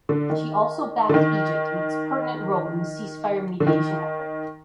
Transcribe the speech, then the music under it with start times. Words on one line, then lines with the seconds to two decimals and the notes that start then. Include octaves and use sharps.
She also backed Egypt in its pertinent role in the ceasefire mediation effort.
0.09 D3
0.30 D#3
1.09 D3
1.14 D#3
3.60 D3
3.67 D#3